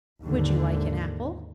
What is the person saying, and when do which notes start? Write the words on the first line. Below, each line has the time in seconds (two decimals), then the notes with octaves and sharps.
"Would you like an apple?"
0.22 D#2 G#2 D3